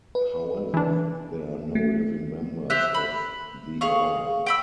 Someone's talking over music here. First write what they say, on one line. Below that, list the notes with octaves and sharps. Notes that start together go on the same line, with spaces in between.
However, there are no living members of the order.
B4
E3 D4
A3
G4 C5 E5 F#6
B5
G#4 F5 C#6
G5 B5 E6